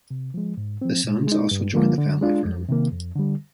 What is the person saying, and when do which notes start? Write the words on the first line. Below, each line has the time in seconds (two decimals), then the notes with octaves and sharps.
The sons also joined the family firm.
0.11 C3
0.34 F3 G#3
0.57 G#2
0.81 F3 C4
1.04 A#2
1.28 G#3 D#4
1.51 G2
1.75 D3 F3 A#3 F4
1.98 D3
2.21 G#3 D4 F4
2.45 F2
2.69 C3 D#3 A#3
2.92 F2
3.15 D3 G3